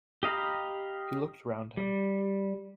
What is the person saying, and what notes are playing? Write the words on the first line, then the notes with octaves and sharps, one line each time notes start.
He looked round him.
G4 D#5 F5 A#5 B5
G3